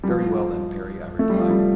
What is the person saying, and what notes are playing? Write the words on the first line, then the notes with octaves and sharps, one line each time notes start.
"Very well then, Perry." I replied.
G3
F3
A3
G3
F3
G3